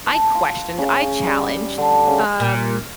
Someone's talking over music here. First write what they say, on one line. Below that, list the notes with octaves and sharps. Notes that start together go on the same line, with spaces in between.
I questioned, I challenged. Um,
A5
F4
C#3
G3
D3
C#3
A#2